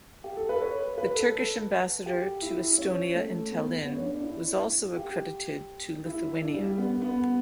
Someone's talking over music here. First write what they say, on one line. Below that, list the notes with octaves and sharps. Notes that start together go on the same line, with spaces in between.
The Turkish ambassador to Estonia in Tallinn was also accredited to Lithuania.
G4
A4
B4
C#5
B4
A4
G4
E4
C#4
A3
B3
B3
C#4
D4
D4
E4
G4
E4
D4
G3
G3
B3
B3